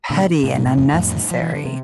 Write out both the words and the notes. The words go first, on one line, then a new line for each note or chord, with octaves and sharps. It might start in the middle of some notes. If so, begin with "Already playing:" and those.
petty and unnecessary.
A#2 D3
A2 C3
G2 A#2
A2 C3
F2 A2
F2 A2
F3
E3
D3
C3